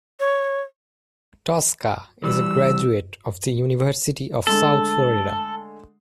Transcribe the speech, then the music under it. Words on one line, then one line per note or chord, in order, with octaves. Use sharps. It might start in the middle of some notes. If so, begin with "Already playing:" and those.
Tosca is a graduate of the University of South Florida.
C#5
E3 G3 E6
D3 G#3 A3 A4